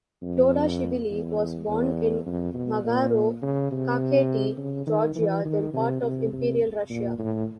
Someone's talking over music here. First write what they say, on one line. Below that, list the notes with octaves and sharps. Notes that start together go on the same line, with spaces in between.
Dodashvili was born in Magharo, Kakheti, Georgia, then part of Imperial Russia.
F2
E2
E2
F2
B2
A#2
C#3
C3
C#3
D#3
E3
D#3
C3
C3
C3
A#2
A2